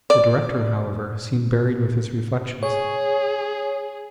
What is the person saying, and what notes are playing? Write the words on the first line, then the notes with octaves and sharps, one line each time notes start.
The director, however, seemed buried with his reflections.
D5
G#4 C#5